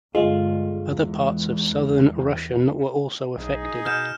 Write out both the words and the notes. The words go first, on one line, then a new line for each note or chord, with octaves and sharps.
Other parts of Southern Russian were also affected.
G1 G#3 F4
E2
B1 D#4 G#4
B2 F6 G6 E7